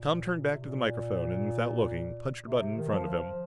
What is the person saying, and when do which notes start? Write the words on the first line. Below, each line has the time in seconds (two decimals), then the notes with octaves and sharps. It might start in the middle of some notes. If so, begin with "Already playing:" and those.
Tom turned back to the microphone, and without looking, punched a button in front of him.
Already playing: A#2
0.49 C3
0.60 A#2
2.43 C3
2.77 D#3
2.89 F3